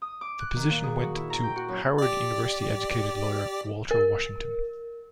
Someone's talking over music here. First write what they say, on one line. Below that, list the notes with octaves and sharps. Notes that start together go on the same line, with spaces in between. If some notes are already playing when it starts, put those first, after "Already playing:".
The position went to Howard University-educated lawyer Walter Washington.
D#6
D6
F#6
D#3
A#2
G#4
F#4
E4
A#5
G5
F#4
F#2
G4 D5
A#4